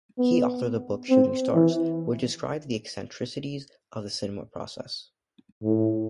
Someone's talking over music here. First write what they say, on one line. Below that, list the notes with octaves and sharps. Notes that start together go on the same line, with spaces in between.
He authored the book "Shooting Stars" which described the eccentricities of the cinema process.
B3
C4
E3
A2